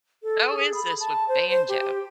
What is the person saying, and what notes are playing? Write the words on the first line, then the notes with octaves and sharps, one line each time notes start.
How is this with banjo?
A4
G#4
B5
A5
C5
C5
G4